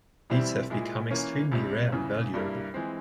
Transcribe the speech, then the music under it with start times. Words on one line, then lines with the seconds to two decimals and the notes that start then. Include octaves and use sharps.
These have become extremely rare and valuable.
0.30 E3 G3 C4 E4
0.70 A#2 G#3 E4
1.11 E3 A#3 C#4
1.52 C#2 C3 G3
1.92 E2 C#3 E3
2.34 G2 G3 A#3 E4
2.74 E3 G#3 C4